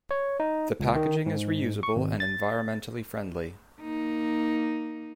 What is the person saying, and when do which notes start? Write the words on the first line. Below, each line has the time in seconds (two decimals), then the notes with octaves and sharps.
The packaging is reusable and environmentally friendly.
0.11 C#5
0.40 D#4
0.80 C#2
0.96 D#3
1.26 G#2
1.83 C#6
1.96 G#1
2.20 A6
3.81 A#3 D#4